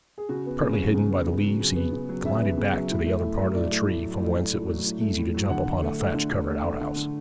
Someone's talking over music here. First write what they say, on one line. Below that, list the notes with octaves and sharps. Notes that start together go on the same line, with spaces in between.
Partly hidden by the leaves he glided back to the other part of the tree, from whence it was easy to jump upon a thatch-covered out-house.
G#4
C#3 F#4
B3
C#3
F#3
C#3
B3
C#3
F#3
C#3
B3
C#3
F#3
C#3 E5
B3
C#3
F#3
A2
A3
A2
F#3
A2 D5
A3
A2
F#3
A2
A3
A2
F#3
A2
A3
A2
F#3
D3 F#5
D3
A3
A3
D3
D3
A3
A3
D3
D3